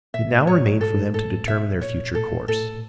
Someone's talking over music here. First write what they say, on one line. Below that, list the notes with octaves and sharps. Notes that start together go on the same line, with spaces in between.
It now remained for them to determine their future course.
A#2 E5
A2
G#2 C#5
A2
G#2 A4
G#2
A2 A4
B2 E5
A#2 C#5
A2 A4
A2 A4